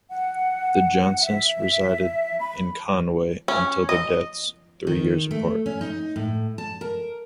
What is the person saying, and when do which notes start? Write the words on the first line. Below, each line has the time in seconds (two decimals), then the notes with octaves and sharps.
The Johnsons resided in Conway until their deaths, three years apart.
0.10 F#5
1.21 E5
2.40 B5
3.48 C#4
3.89 D#5
4.87 D#3
5.31 A3
5.66 C#4
5.81 D#4
6.16 A2
6.58 A5
6.81 A#4